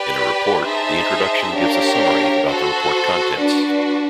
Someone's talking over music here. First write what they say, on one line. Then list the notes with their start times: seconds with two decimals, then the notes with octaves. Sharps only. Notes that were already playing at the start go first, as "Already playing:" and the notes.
In a report, the introduction gives a summary about the report contents.
Already playing: G4 B4 D5
0.64 D#4 G#4 C5 E5 A5
1.55 D4 G4 A#4 C#5 F5
2.47 F#4 A4 C5
3.38 D4 F#4 B4